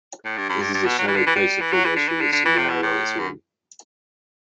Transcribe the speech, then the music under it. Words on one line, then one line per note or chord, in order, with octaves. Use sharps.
This is a shallow crater formation with some wear along its rim.
A2
G2
F#2
G2
G2
B2
F#3
E3
D3
E3
G3
E3
F#3
E3
D3
E3
D3
D3
E3
C3
B2
A2
F#2